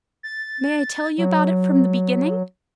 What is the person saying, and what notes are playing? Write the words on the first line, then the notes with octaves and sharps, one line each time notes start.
'May I tell you about it from the beginning?'
A6
F#3